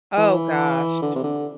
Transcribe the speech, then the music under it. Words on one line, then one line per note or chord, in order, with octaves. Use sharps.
Oh, gosh.
E3
D3
C3
D3